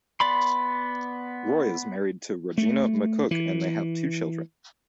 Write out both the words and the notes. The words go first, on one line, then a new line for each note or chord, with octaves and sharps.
Roy is married to Rogena McCook and they have two children.
B3 D5 B5 C6
A3
E3